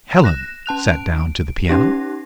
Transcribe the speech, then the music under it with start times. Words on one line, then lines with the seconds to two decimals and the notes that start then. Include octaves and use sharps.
Helen sat down to the piano.
0.24 F#6 A#6 E7
0.66 C#4 A5 F#6 F7
0.92 D7
1.68 C#4 D#4 G4 A#6